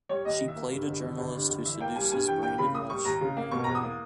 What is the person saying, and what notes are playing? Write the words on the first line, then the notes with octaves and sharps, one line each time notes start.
She played a journalist who seduces Brandon Walsh.
G3 C#5
D#2 D#5
D#3
E5
A#3
G2
G1
D#3
G1
G2
G1
E3 E5
A#3 G5
G3 G#5
G2 G#5
E3 G5
A#3 G5
C#3 B5
A#3 D#6
G3 C#6
D#2 A#5
C#3
A#3
B2 C#6
E2 A#5
D#6
A#3